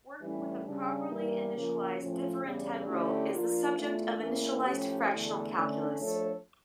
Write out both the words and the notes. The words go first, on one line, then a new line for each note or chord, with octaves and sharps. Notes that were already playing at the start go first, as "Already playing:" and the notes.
Working with a properly initialized differintegral is the subject of initialized fractional calculus.
A2 E3 G3 C#4 E4
C#3 G3 D4
G2 E3 G3 A#3
C#3 F3 A#3
A2 F3 C#4
E2 C#3 G3 D4
D3 A3 C#4 E4 G4
F3 A#3 D4 F4
E2 E3 A3 D4 F4
E2 E3 A#3 C#4 E4
A2 F3 C#4 G4
E2 D3 A3 E4
D3 A3 C#4
F3 A3 D4 A4 C#5